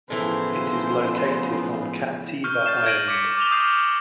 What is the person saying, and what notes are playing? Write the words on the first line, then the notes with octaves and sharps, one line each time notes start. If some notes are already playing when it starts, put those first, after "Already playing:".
It is located on Captiva Island.
A2 C#3 E3 F3 B3 C5
C#6 F6 G6
F6 G6 A6 C7 E7
G#6 A#6 D7 D#7 F#7
D6 G#6 B6 C#7 D7
D6 G6 F7 G7
D6 D#6 F6 G6 C7